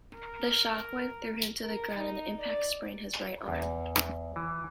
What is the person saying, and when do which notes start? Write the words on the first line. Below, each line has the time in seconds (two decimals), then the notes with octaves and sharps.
The shockwave threw him to the ground, and the impact sprained his right arm.
0.15 A#4
1.63 A#4
1.96 D#4
2.38 D5
3.48 E2
4.36 E3